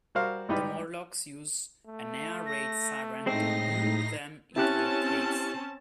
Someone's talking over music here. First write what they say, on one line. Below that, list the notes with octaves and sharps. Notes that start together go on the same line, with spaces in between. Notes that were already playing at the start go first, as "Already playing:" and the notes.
The Morlocks use an air raid siren to lure them into their caves.
G3 F#4 A#4 C5 F5
G#1 G3 D#4 G4 B4
A3
A#6
A2 G#3 C4 D#4 A#6 C7
C4 C#4 E4 G4 A5 F#6